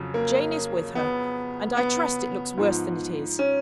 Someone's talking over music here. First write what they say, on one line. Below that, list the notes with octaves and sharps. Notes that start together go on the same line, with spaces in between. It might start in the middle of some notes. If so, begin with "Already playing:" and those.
Jane is with her; and I trust it looks worse than it is.
Already playing: F2 C#3 F#3
A#3
B3
B3
G#2 F3
C#4